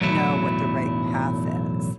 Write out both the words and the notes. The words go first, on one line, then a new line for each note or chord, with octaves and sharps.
know what the right path is?
B1 E2 A2 F#3 E4